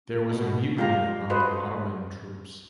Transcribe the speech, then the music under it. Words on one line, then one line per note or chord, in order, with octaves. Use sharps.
There was a mutiny among the Ottoman troops.
B2
G3 G#3 F4 G4 F5 A#5
F#4 A4 B4 C5 D#5 F#5